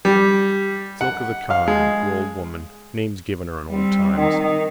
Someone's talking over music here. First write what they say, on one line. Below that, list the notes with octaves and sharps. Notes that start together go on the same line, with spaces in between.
Silk of the kine and poor old woman, names given her in old times.
G3
F#5
F5
G#3
G3 C4
D#3